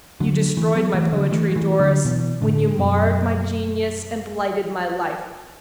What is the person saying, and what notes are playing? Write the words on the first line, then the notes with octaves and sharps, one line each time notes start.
"You destroyed my poetry, Doris, when you marred my genius and blighted my life!"
D3 F#3
E3 A3
F#3 B3
E3 A3
D3 F#3
E3 A3
F#3
E3 A3
D3 F#3
B2 E3
A2 D3
F#2 B2